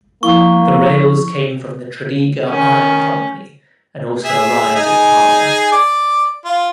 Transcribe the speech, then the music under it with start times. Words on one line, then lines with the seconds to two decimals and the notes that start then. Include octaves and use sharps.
The rails came from the Tredegar Iron Co, and also arrived at the harbour.
0.23 F3 A#3 E4 C#6
2.50 D#3 C#4
4.25 G#4 E5
4.76 D#4 G#4 G#5
5.72 D5 D6
6.45 F4